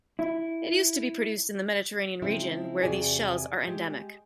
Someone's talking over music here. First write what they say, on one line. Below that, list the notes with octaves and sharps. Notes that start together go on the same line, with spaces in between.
It used to be produced in the Mediterranean region where these shells are endemic.
E4
C#3 F3 G#3 C4 E4
E2 C3 F#4 G#4 D5 G#5
G#3 G4